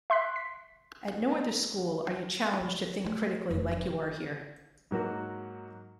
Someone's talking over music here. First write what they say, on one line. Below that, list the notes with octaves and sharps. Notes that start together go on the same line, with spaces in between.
At no other school are you challenged to think critically like you are here.
E5 C6 F#6 B6
B6
D#3
A3
F1
G#2 F#3 A#3 F#4